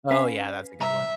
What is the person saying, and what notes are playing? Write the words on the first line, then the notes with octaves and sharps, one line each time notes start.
Oh, yeah, that's a good one.
C#4 B4 F5 G#5
C2 E5 A#5